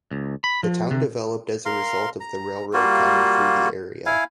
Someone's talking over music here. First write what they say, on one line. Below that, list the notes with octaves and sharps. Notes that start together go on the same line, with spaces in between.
The town developed as a result of the railroad coming through the area.
C#2
B5
F3
C3
A#4 F5 C6
A#5
G3 A#3 F4 F#4
E4 F5 G#5